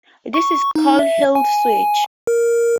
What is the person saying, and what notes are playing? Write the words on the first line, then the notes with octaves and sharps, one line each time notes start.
This is called a heeled switch.
C#6
D#4
E5
G#5
A#4